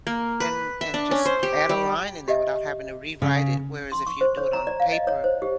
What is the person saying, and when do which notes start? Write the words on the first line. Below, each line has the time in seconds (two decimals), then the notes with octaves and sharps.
and and just add a line in there without having to rewrite it whereas if you do it on paper,
0.07 A#3
0.40 B4
0.81 E5
0.94 D4
1.11 C#4
1.26 C5
1.43 G4
1.69 G3
2.28 G4 D#5 E5
3.22 C#3
3.92 C6
4.07 C#6
4.21 C5
4.37 C#5
4.53 A#5
4.67 D5
4.80 F5
4.92 D#5
5.07 C#5
5.24 C5
5.42 G4